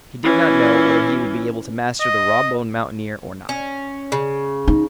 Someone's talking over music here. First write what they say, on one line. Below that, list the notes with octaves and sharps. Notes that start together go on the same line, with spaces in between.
He did not know whether he would be able to master the raw-boned mountaineer or not.
E3 C#4
D#5
C#4
C#3
D#4